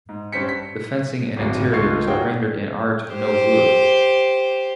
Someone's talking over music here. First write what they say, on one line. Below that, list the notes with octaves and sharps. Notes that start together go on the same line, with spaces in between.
The fencing and interiors are rendered in Art Nouveau.
G#2
G2 C4 C#4 C5 B6 C#7
B6
D1 G#1
C#2 A3 F4 C#6 C7
D#4 F4 F#4 G#4 C#5 G5
G4 C5